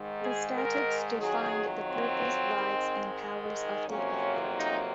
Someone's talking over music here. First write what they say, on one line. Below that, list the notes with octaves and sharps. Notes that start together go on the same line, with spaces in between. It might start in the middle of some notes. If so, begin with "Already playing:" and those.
The statutes define the purpose, rights and powers of the authority.
Already playing: G#2 D#3 G#3
G#4
A#4
F2 D#3 F#3 G#4
C4
G#2 D#3 G#3
F2 C3 F#3 A#3 C#4
D#4